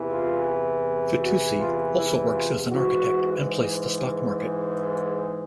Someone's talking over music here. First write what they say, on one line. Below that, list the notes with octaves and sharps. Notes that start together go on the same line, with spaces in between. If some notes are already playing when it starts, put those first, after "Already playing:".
Fitoussi also works as an architect and plays the stock market.
Already playing: E2 C3 E3
F4
F#4
F4
E4
F4
G#2 E3 F#4
G#4